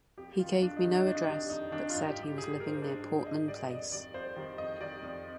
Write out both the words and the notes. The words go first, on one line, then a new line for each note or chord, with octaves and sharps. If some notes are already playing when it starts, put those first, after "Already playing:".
He gave me no address, but said he was living near Portland Place.
F2 G4
D#3 G3 F4
F2 D4
D#4
D#3 G3
D4
D#4
F2 D4
D#4
D4
D#3 G3
F2 D#4
D#3 G3 D4
F4
G#2 D#4
G4
G3
G4
G#2 G#4
G3 A#4
C5
A#4
G#2 D4
G3
D5
G#2 D#5
G3 D5
F2 D#5
D#3 G3 D5
F2 C5
D#3 G3
F2 D#5
D#3 G3 D5
F2